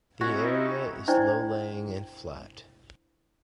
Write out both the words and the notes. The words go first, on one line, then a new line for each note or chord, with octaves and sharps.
The area is low laying and flat.
C4 C#4 D#4 E4 F#4
D4 E4 C5 D5 G5